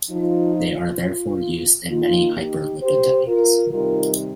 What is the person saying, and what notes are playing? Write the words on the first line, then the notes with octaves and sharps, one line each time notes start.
They are therefore used in many hyperlipidemias.
F3 D#4 F4
F4
D#3 A#3 D#4 F4
D#4 G4
G4 C5
F4 A#4
C3 D#3 G3 D#4 F4 A#4